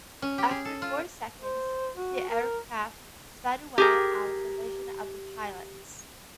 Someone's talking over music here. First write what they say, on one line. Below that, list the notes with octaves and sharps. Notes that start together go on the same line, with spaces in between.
After four seconds, the aircraft sped away out of the vision of the pilots.
C#4
G4
G#4
A4
F4
C5
F#4
A#4
G4 G#4 A#4